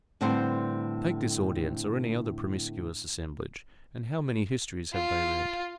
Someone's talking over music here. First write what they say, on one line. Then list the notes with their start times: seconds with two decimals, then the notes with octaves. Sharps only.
Take this audience, or any other promiscuous assemblage, and how many histories have they read?
0.21 A2 D3 G3 C4 B4 C5
4.93 F4